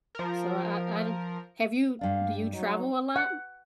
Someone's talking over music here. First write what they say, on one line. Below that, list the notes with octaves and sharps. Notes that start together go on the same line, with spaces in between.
So, I I don't have you do you travel a lot?
F3 A#4
G2 D4 F5
F#3 D#4
F#5